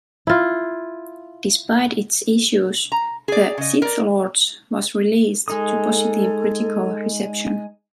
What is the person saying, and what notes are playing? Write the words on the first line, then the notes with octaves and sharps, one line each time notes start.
Despite its issues, "The Sith Lords" was released to positive critical reception.
E4 F4
A#5
G#4 D5
C#3 D#5
A#4 D5
G#3 D#4 A4 D#6